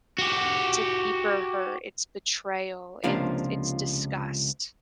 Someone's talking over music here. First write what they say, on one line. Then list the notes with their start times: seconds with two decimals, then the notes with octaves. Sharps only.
it's a deeper hurt, it's betrayal, it's it's disgust.
0.18 F#4 G4
3.04 C#2 C3 F3 A#3 D4 F5